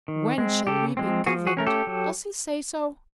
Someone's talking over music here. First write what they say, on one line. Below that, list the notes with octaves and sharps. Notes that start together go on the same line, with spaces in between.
'When shall we be governed?' Does he say so?
D#3
G#3 C4
C#3 G4 A4
F3 G#3 C4
F3 F#4 G#4
F#4 G#4
A3 C#4 A#4
G4 A4
F#3